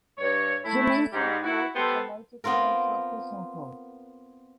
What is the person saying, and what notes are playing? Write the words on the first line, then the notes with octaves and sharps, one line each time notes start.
Shimizu Port is a major commercial fishing port.
G2 C#5
A3 E4
G#2 G3
E4 F#4
B3 G4 A4 C5
B3 C4 F4 A#4